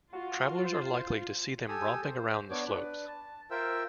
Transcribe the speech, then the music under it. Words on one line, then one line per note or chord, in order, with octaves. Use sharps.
Travellers are likely to see them romping around the slopes.
F4 F#4
C5
G4 A4 G#5 D#6 E6
C5
B3 D4 C#5 D6
D4 B4
A5
F4 A#4 C5 E5 G5 E6